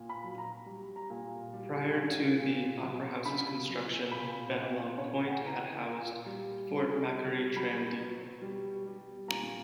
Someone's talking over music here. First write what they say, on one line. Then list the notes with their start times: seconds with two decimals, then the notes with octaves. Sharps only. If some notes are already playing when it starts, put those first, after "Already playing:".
Prior to the Opera House's construction, Bennelong Point had housed Fort Macquarie Tram Depot.
Already playing: A#2
0.09 B5
0.24 F#3
0.38 A#5
0.66 G3
0.96 A#5
1.10 A#2
1.53 G3
1.96 C#3
2.39 A#2
2.82 F#3
3.25 C#3 B5
3.69 F#3
4.11 A#2 B5
4.55 A#2
4.97 C#3 C#5
5.27 F#5
5.40 E3
5.46 A#5
5.55 G5
5.83 A#2 A#5
6.26 G3
6.70 G3
7.12 G3
7.56 F#3 B5
8.00 B2
8.42 G3
8.86 G3
9.28 A#2 A#5